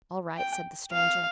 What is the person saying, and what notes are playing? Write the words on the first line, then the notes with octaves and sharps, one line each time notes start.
"All right," said the stranger.
G5
F5